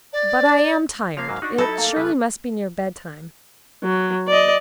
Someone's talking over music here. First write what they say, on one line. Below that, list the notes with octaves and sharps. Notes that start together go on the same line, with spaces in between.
But I am tired: it surely must be near bedtime.'
D5
F3 A#3 F5
G#2 F#3 A#3
D4 D#4 F#4
F#3 D#4 E4 A4
A#3
C#3 G3 B4
F#3
D5 D#5